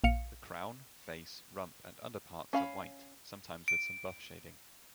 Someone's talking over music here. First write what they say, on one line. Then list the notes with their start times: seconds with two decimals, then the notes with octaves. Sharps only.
The crown, face, rump and underparts are white, sometimes with some buff shading.
0.04 A#1 F5 C#7
2.53 C#4 F5 B5
3.68 D7